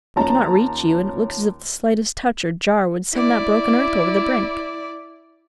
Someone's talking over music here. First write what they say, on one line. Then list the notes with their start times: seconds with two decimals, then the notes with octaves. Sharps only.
"I cannot reach you--and it looks as if the slightest touch or jar would send that broken earth over the brink."
0.16 D#2 F3 C#4 A5 A#5
3.14 E4 D5